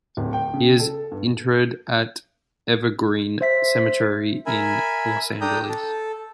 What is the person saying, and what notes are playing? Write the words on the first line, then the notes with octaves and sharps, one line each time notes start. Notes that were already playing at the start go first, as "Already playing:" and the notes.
He is interred at Evergreen Cemetery in Los Angeles.
D1
G5
C#3
A4
G2
C5 E5 B6
A#4 E5 G#5 B5
D4 A4 G5 A#5 D#6 G6
A4